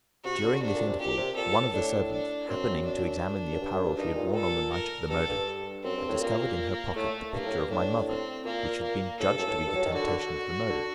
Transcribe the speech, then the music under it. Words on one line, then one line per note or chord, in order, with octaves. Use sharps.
During this interval, one of the servants, happening to examine the apparel she had worn on the night of the murder, had discovered in her pocket the picture of my mother, which had been judged to be the temptation of the murderer.
C3 F#4
D3
C3 D4
A#2
C3
A#2 G4
C3
A#2 A4
A2
A2 D4
D4
F#2 C4
D4
F#2
G2
F#2
G2
G2 D#4
A#2
A4
A#4
G2 A4
G2
F#2 C4
G2
A2
A#2 A#3
A2 A3
G2 A#3
A2
G2
A2 D4
C4
A#2 A#3
A#3
A2 A4
G2
F#2
A2
G2
F#3
D#3
D3 F#4
D3
D3